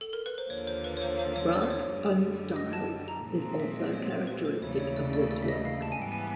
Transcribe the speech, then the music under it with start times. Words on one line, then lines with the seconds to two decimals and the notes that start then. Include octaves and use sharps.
Braque own style is also characteristic of this work.
0.01 A4
0.13 A#4
0.26 B4
0.38 C5
0.50 D#2 D3 F3 A#3 C#5
0.67 C5
0.84 B4
0.97 C#5
1.02 C5
1.19 C5
1.36 C#5
1.53 D5
1.62 C5
1.70 C#5
1.88 F#2 D3 G3
2.56 D#5
2.73 A5
3.08 A#5
3.25 A#2 F3 G#3 C4
3.42 A#5
3.60 E5
3.76 D#5
3.87 D5
3.93 C#5
4.11 C5
4.27 B4
4.45 C5
4.62 D#2 C#3 E3 A3 C#5
4.75 D5
4.80 C#5
4.96 D5
5.13 D5
5.31 D5
5.43 E5
5.48 D#5
5.65 F5
5.82 A5
5.92 G#5
6.00 G#2 E3 G3 B3 G5
6.12 G#5